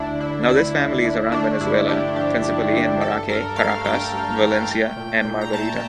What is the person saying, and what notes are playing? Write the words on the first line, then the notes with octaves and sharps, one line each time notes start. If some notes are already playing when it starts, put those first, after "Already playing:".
Now this family is around Venezuela, principally in Maracay, Caracas, Valencia and Margarita.
Already playing: D2 D3 D4 E4
D3 E4
D2 E4
D2
D3
A3 D4
G2 E4
A3 G4
F3 G4
A3
G2
G2 A4
G2 A#4
A3 F5
G2 G5
G2
E3
A3
A#2
A#2
A#5
A3 A5